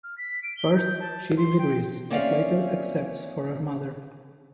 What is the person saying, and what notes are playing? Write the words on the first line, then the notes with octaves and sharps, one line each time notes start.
First she disagrees but later accepts for her mother.
F6
B6
D7
G7
G6
A5
C6
G5
A#3 C4 C#4 D5 E5 F5